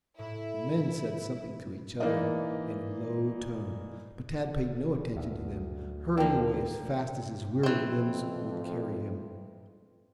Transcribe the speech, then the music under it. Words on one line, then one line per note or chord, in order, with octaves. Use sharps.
The men said something to each other in a low tone, but Tad paid no attention to them, hurrying away as fast as his weary limbs would carry him.
A2 E4
E3 A#3 D#4 D5 D#5
D2
A#3 D4 G5
F2 E3 C4